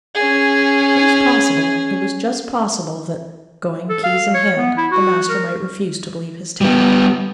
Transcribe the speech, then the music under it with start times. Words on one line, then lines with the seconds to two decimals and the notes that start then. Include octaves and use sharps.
It was possible, it was just possible that, going, keys in hand, the master might refuse to believe his tale.
0.15 C#4 G#4
3.89 A4
4.04 F5
4.34 C#5
4.57 B3
4.77 E4
4.91 F#4
5.29 A#4
6.61 G3 B3